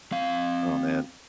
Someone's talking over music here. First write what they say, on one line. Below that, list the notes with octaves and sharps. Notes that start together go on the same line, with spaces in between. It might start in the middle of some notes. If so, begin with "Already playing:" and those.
Aw, man.
C4 F5